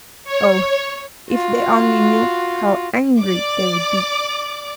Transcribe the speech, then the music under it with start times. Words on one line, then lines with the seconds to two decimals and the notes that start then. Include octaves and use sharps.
Oh, if they only knew, how angry they would be!'
0.24 C#5
1.32 F4 F#4
3.20 D5 D6